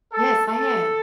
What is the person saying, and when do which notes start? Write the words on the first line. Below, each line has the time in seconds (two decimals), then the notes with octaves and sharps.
Yes, I have.
0.12 A4
0.47 A4